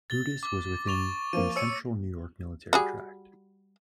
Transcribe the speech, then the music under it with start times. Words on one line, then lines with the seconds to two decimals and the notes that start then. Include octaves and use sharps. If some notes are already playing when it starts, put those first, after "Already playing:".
Brutus was within the Central New York Military Tract.
0.10 A6 G7
0.43 D6
0.87 C#6 F7 G7
1.33 F3 A#3 D#7
1.56 C#5 E6 C#7 D#7
2.73 G3 F#4 G#4